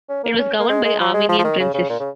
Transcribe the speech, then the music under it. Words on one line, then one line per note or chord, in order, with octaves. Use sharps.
It was governed by Armenian princes.
C#4
A#3
C#4
A#3
G#3
G#3
F3
G#3
F3
F3
D#3
C#3
C#3
A#2
C#3